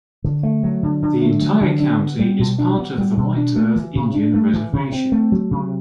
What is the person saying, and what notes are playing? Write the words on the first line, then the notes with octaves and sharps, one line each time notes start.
The entire county is part of the White Earth Indian Reservation.
D3
A3
F#3
D3
D3
A3
F#3
D3
D4
B3
G3
B2
D4
B3
G3
B2
D4
A3
E3
C3
D4
A3
E3
C3
C4
A3
F#3
C3